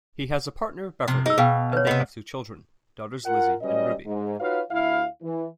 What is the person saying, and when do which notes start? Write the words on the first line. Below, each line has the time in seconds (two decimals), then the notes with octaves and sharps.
He has a partner Beverly, and they have two children, daughters Lizzie and Ruby.
1.08 C3 F3
1.26 D#4 G#4 E6
1.38 B2 G#4 F5 G5
1.73 B4 C#5
1.87 C3 B3 D#5
3.26 F4 A#4 F#5
3.61 F#3 G3 C#4 B4 D5 D#5
4.06 G#2
4.40 D#4 F4 F#4 B4 C#5 F5
4.71 D2 E4 E5 F5
5.22 E3